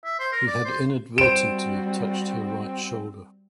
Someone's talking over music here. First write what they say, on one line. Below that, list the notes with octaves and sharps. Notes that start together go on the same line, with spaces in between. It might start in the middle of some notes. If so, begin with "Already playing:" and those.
He had inadvertently touched her right shoulder.
E5
C5
A#4
D5
C5
G3 C4 F#4 C5 D7 E7